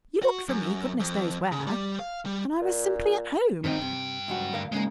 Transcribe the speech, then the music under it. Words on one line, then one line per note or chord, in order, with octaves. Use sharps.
You looked for me, goodness knows where, and I was simply at home.
F#4
F#2
F2
C#3
G3
F5
G3
A#2
G2 D#3 C4 D#4 G5
C3
C#2 F#2 F#4
D2 A#4 F5
G#2 C#3 G#3 A#3